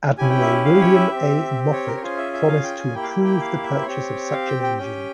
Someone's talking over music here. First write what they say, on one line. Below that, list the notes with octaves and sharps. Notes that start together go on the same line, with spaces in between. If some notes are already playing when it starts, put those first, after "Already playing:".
Admiral William A. Moffett promised to approve the purchase of such an engine.
C#4 E4 G4 G#5
G5
E5
F5
C#5
E5
C4 G4
C#5
A#4
C#5
C#4 F4 G#4 C5
E5
E5
F5
G5
G#5
A#3 E4 G4 G5
F5
G5
G5
F5
E5
C5
C4 G4 C#5
F5
G5
G5
C#4 G4 G5